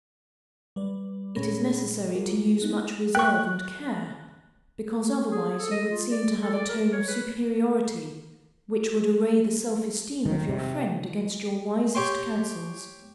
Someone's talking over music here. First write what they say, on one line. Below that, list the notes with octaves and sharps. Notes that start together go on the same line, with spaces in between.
It is necessary to use much reserve and care, because otherwise you would seem to have a tone of superiority which would array the self-esteem of your friend against your wisest counsels.
G3 B4 D5
A#2 C#4 G#4 C#5 B5 A#6
G3 F4 F#4 G#4 A#4
B3 D#4 E4 G#4
G5 C#6 F#6
G#4
A4
D#5
F4
D5
A4
D5
A#4
C#5
B4
D#3
C3
G4 C#5 G5 C6